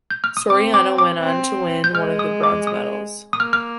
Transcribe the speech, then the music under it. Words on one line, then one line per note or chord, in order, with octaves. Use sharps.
Soriano went on to win one of the bronze medals.
G6
F6
D#6
C4 D6
D6
D6
C4
G6
G#3 F6
D#6
D6
D#6
D#6
A#3 F6
F6